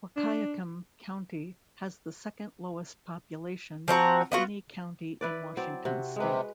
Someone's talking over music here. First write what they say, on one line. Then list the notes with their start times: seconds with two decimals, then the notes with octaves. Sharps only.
Wahkiakum County has the second lowest population of any county in Washington state.
0.16 D4
3.88 F3 C4 F#4 A#5
4.32 B3 F4 F#4
5.21 E4 B4 D5
5.57 F#3 C4 D5
5.85 C3 F#4
6.16 C3 G#3 B4